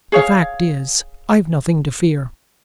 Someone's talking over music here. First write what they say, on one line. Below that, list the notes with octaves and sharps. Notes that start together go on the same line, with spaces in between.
The fact is, I've nothing to fear.
G#4 C#5 F5